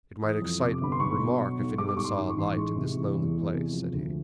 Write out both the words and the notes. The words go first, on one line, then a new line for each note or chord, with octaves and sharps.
"It might excite remark if anyone saw a light in this lonely place," said he.
E3 D#6
F2
C3 D6
G1 B5
C6
B1 C#6
B2
F#3
B1
G3 D6
D6
G#2 C#6
C6
D#3
C#6
A1 C6
C#6
G#3
C3
E3
E2
G#3
C3
F3
D2